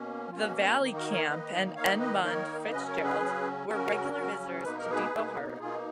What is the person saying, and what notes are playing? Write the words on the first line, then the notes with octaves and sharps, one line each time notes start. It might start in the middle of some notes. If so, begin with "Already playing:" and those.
The "Valley Camp" and "Edmund Fitzgerald" were regular visitors to Depot Harbour.
Already playing: B2 A#3 C#4
B2 A#3 C#4 F4
F#4
F#4
F#4
D#3 A#3 D#4
F#4 A#4
A#4 C#5
F5
D#3 A#3 D#4 B4 D#5
D#3 A#3 D#4 C#5 F5
B4 D#5
D#3 A#3 D#4 A#4 C#5
C#3 F#3 C#4 B4 D#5
A#4 C#5
G#4 B4
C#3 F#3 C#4
C#3 F#3 C#4 F#4 A#4
C#3 F#3 C#4
B2 A#3 D#4 B4
A#4
G#4 B4
B2 A#3 D#4
B2 A#3 D#4 F4 G#4